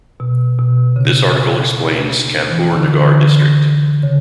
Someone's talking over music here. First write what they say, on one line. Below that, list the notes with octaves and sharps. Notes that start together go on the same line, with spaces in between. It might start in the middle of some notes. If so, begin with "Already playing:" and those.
This article explains Kanpur Nagar district.
B2
B2
C#3
E3
D3
D3
C#3